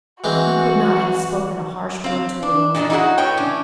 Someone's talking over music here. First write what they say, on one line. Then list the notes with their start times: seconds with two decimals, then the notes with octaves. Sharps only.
He could not have spoken a harsh word to a woman.
0.24 E3 G#3 C4 F#4
2.04 C4 F5
2.43 D4
2.75 A#2 D#3 G3 G#3 D4
2.90 D#4 E4 F#4 G#4 F#5
3.18 A2 B3 C#5 G5
3.37 E3 C#4 D4